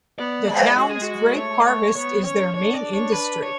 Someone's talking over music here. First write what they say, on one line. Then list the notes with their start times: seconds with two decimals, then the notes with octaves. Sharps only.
The towns "Grape Harvest" is their main industry.
0.19 B3 D5
0.48 G#3
0.78 F#4
0.89 G#4
1.02 F#4
1.37 A3 C#5
1.60 D5
1.66 A3 C#5
1.95 B3 C#5
2.24 C#4 C#5
2.54 D4 C#5
2.74 D5
2.93 C#5
3.12 B4
3.43 C#5